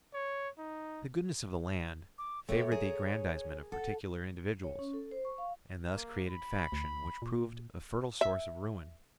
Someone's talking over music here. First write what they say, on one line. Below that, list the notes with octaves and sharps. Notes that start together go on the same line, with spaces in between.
The goodness of the land favoured the aggrandizement of particular individuals, and thus created faction which proved a fertile source of ruin.
C#5
D#4
D6
A3 B3 G4 C#5
G#4 A#4
A4 F#5
C#5
C#4
A4
C5
C#6
F5
A#3
B5
D2
A#2
E5